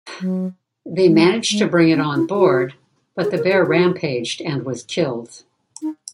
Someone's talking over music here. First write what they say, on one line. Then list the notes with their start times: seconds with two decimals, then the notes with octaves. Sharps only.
They managed to bring it on board, but the bear rampaged and was killed.
0.20 F#3
1.08 G#3
1.51 G#3
1.94 C#4
2.16 E4
2.37 F#4
3.24 G#4
3.37 A#4
3.52 G#4
3.66 F#4
5.82 D#4